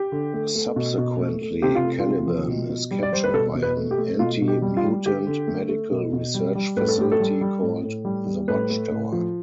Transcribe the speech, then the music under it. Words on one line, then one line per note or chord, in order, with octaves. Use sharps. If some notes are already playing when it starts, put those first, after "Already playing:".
Subsequently, Caliban is captured by an anti-mutant medical research facility called the Watchtower.
Already playing: G4
D3
A3
A3
B2
B2
A3
A3
C3 G4
F4
A3
F4
C3
F3
B2
B2
G3
D5
G3 C5
B4
B2 A4
B2
B4
A3
G4
A3
B2 F4
B2
G4
G3
F4
G3
D3 G4
D3
A3
A3
B2
B2
G3
G3
A2 B4
A4
A2 G4
A4
G3
G3
A2
A2
G3
G3
A2 B4
A3
A2
F3